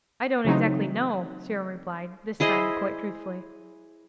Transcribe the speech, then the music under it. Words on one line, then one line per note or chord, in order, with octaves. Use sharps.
'I don't exactly know,' Cyril replied, this time quite truthfully.
C#3 E3 F#3 A3 C4 D#4
E4 G#4 C5 D#5